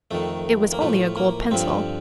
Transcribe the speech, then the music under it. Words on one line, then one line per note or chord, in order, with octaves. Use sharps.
It was only a gold pencil.
F2 D#3 A3
A#3
A2 F3 A3
A#3
G2 D3 F3 C4